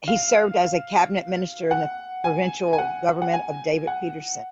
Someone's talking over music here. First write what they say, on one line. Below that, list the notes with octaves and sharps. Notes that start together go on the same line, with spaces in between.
He served as a cabinet minister in the provincial government of David Peterson.
F5
F#5
G#5
G#5
F#5
F#5
G#5
F#5